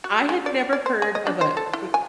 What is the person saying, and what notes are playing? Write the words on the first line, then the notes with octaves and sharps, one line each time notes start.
I had never heard of a big
F#4
G#3
D5
D5
C5
G#4
D#5
D4
C5
A4
E4
G#5